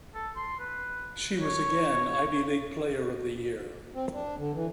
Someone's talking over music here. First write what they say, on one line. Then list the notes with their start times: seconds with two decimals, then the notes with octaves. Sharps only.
She was again Ivy League Player of the Year.
0.14 A4
0.36 C6
0.59 B4
1.41 C#5
3.94 C4
4.13 D4
4.39 D3
4.54 E3